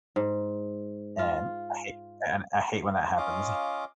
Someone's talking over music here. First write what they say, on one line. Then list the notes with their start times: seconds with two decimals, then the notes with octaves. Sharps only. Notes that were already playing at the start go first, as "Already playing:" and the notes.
And I hate and I hate when that happens.
0.16 G#2
1.19 F4
3.17 C#4 F4 D#5 F5 D6